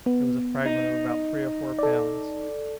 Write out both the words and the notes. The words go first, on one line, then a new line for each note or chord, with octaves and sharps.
It was a fragment of about three or four pounds.
B3
D#4
A4 D5